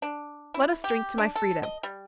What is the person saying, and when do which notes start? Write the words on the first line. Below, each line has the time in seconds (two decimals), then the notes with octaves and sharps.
Let us drink to my freedom.
0.02 D4
0.54 E4
0.84 G4
1.18 D4
1.36 A4
1.63 D#5
1.83 G3